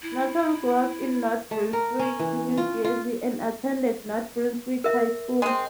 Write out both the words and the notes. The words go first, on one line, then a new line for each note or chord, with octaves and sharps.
Norton grew up in North Brunswick, New Jersey, and attended North Brunswick High School.
E4
A3
A#4
C#4
E3
F4
F4
A#4 E5
G#3 C4